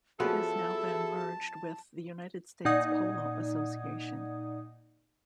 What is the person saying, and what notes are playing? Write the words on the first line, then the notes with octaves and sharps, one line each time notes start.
It has now been merged with the United States Polo Association.
F3 B3 C#4 E4 F#4 G#4 A4 A5
A#2 D#4 D5 F#5 D#6 G#6